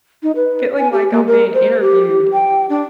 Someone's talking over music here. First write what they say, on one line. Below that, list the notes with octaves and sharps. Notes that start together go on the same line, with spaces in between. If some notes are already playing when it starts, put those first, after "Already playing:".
feeling like I'm being interviewed
D#4
B4
G#5
G4
A#3
A#4
C5
G4
G5
D4